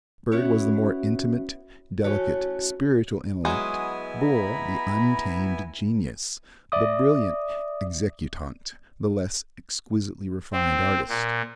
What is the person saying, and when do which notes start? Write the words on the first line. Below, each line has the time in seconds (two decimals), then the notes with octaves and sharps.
Byrd was the more intimate, delicate, spiritual intellect; Bull the untamed genius, the brilliant executant, the less exquisitely refined artist.
0.32 B3 C#4 E4 F#4 C#5 E5
2.04 E3 A3 C#4 F#4
3.45 F#3 G#3 B3 E4 G#5 D#6
4.21 A#5 B5
6.72 D5 E5 D6 D#6
10.53 C4
11.08 A#2